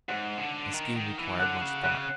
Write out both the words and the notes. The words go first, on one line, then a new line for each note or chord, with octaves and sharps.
My scheme required much thought.
G#2 F#5
C#3
D3
D#3
D#3
E3
D3 F#5
C#3
C#3 F#5